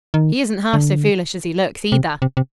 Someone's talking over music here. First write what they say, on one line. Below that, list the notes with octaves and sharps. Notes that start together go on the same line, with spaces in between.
He isn't half so foolish as he looks, either.
D#3
D3
C3
C3
C3